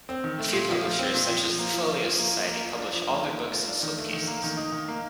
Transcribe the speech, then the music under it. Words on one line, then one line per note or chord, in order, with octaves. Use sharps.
A few publishers, such as the Folio Society, publish all their books in slipcases.
C4
D#3
A3
A#2
F3
F4
C4
A#2
F3
F3
A#3
F3
F4
F3
A#3
F3
A#3
F4
D4
F3
A#3
D#3
A3
F4
D4
D#3
A3
D#3
A#3
D#3
D#4
D#3
A#3